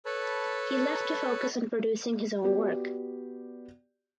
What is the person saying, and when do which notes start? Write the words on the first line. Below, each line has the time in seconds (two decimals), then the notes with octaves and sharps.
He left to focus on producing his own work.
0.06 A4 B4 C#5 A5 B5
2.44 B3 F#4 G4 D5